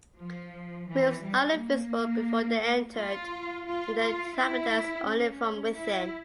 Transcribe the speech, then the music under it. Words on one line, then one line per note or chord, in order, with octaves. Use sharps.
Rooms aren't visible before they're entered, and their inhabitants only from within.
F3
E3
G3
A#3
F4
F4
F4
E4
C#4
E4